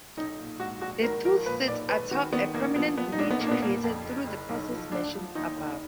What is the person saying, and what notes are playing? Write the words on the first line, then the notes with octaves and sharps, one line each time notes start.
The Tooth sits atop a prominent ridge created through the process mentioned above.
B1 D#4
A#2
G#2 F#4
A#1 F#4
G#1 A#4
F3 A#4
A#2 B4
B1 D5
G#1 B4
D#3 F#4
D#3 B3
A#1 A#3
F3 B3
F3 B3
D#4
B1 D4
B3
A#2 A#3
D4
B3
F1 A#3
F2
F#1
F#1
B1
F3
D2 D4
F3
D#2 D#4
F1